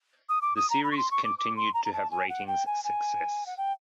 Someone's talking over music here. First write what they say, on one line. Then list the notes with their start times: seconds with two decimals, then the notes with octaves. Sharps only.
The series continued to have ratings success.
0.29 D#6
0.42 D6
0.56 D#6
0.70 A#5
0.84 B5
0.91 C#6
0.97 C6
1.11 C#6
1.24 D6
1.39 D6
1.57 C6
1.74 A#5
1.85 A#5
1.93 A5
2.11 G#5
2.29 F#5
2.47 G5
2.66 G#5
2.84 G#5
3.46 F#5
3.57 G5